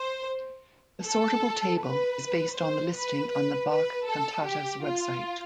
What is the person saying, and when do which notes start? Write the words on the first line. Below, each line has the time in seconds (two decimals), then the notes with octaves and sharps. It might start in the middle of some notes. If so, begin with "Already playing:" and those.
The sortable table is based on the listing on the Bach Cantatas website.
Already playing: C5
1.04 A4
1.81 B4
2.56 C5
2.95 B4
3.32 B4
3.70 B4
4.08 A4
4.46 G4
4.85 F4